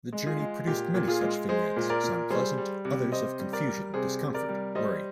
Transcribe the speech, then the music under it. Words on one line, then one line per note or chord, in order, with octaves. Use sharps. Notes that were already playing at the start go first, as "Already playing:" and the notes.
The journey produced many such vignettes, some pleasant, others of confusion, discomfort, worry.
G#3
F4 G#4
G#3
A#2 G4
A#2
F4 G#4
G#3
G#3 G#4 C5
A#2
A#4 D5
A#2
G3 G#4 C5
G3
C3
C3 C5 D#5
G3
A#4 D5
G3
C3 G#4 C5
C3
A#4 D5
G3
G3 C5 D#5